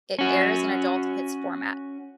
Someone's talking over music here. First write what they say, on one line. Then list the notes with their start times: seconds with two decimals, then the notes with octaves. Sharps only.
It airs an adult hits format.
0.19 C#4 F#4